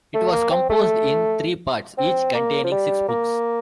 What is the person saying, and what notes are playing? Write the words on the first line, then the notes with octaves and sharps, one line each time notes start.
It was composed in three parts, each containing six books.
A3
A#3
C4
A3
C4
A#3
F3
G3
A#3